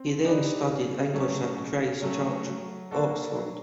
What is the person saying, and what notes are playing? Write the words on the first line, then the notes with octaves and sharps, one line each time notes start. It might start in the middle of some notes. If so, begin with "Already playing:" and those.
He then studied English at Christ Church, Oxford.
Already playing: C4
D#4 G4 B4 D5
C#3
F#3 A3 C#4
C#3
F#3 A3 C#4
F#3
A#3 D4 F#4 A4
F#3